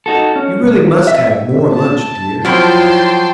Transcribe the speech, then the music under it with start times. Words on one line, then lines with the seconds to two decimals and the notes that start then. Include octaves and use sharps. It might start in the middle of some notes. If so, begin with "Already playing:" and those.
'You really must have more lunch, dear.
0.06 D#4 F#4 A4
0.36 C#4
0.62 B1
1.07 E5
1.73 A5
2.45 F3 F#3 E4 F4 G5 A5 C6